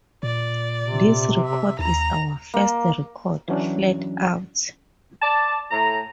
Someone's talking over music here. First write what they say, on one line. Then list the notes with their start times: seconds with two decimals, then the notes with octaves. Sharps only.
This record is our first record, flat out.
0.23 A#2 D5
0.82 C3
1.44 E5
1.79 D#2 A#5
2.54 A#3
3.48 E3 F#3 C#4 D4
5.22 D5 A5
5.71 A2 A#5